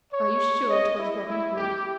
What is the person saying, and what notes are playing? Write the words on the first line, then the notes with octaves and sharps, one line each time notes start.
"Are you sure 'twas Robin Hood?"
C#5
D#5
E4
E4
G4